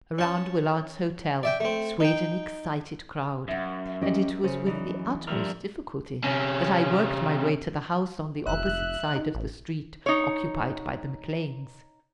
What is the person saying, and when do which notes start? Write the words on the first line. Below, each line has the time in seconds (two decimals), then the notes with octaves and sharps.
Around Willard's hotel swayed an excited crowd, and it was with the utmost difficulty that I worked my way to the house on the opposite side of the street, occupied by the McCleans.
0.18 C#4 A5
1.43 D5 E5 G5
1.60 A3 C4
2.00 D#4 G5
3.48 F#2 E5 F#5
4.01 C#4 G4 D#5
4.44 C#3 C5
4.66 E3 D#4 D5
5.27 G2 F3 A#4 E5 F6
6.24 C3 C#4
8.46 F1 E5 F#6
9.15 D#4
9.35 A1
10.06 D#4 C#5